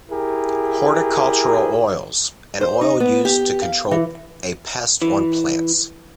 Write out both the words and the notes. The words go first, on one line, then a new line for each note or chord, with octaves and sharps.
Horticultural oils: An oil used to control a pest on plants.
E4 G4 G#4 A#4
C5
D#4
B3
G4
F5
E3
E3